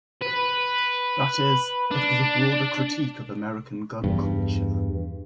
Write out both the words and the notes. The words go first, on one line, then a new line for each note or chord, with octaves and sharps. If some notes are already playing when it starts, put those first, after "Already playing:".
That is, it was a broader critique of American gun culture.
B4
D4
E2 G2